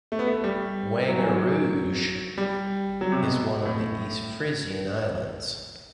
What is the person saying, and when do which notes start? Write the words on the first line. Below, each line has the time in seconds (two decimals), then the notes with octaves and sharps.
Wangerooge is one of the East Frisian Islands.
0.12 A3
0.19 B3
0.27 A3
0.44 G3
1.08 F#3
1.19 E3
1.29 F#3
2.38 G3
3.01 F#3
3.12 C3
3.23 B2
3.66 A2